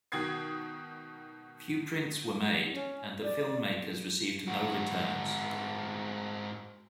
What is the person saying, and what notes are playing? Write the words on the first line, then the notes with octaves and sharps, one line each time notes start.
Few prints were made and the film-makers received no returns.
B2 D#3 G5 D#6 G#6 C7
C#4
D5
G#2 F#4